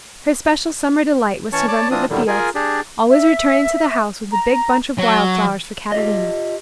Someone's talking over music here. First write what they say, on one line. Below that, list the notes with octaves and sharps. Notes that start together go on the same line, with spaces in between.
Her special summer delight was to run through the fields, always returning to the house with a big bunch of wild flowers for Catalina.
E3 C#4 C#5 A5 C#6
C#5 D5 A5 D6
E3 C4 D4 F4 D#6
A2 D3 D#3 F#3 G3
F4 G#4 A#4 G#5
D4 G4 G#4 D5
E5
A#5
F#3
F4 G4 D#5